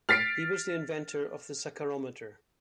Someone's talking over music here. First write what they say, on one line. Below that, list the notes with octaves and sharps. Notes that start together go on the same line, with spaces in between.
He was the inventor of the saccharometer.
F6 A6 B6 C7 D7